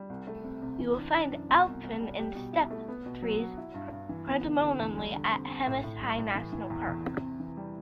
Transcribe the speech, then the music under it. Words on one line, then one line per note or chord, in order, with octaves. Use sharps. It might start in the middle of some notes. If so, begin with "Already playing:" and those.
You will find alpine and steppe trees predominantly at Hemis High National Park.
Already playing: G3
C2
A3
C3
C3
E3
D4
D4
F#2
B2
C2
C2
G3
G4
B2
E4
A3
B3
B2
F#3
F#4
E4
G2
G2
E3
B3
D3
D3
E2
G3
D3
C4
C4
A2
A2
G3
A2
E3
E3
E2
E2
C3
C4
E3
G3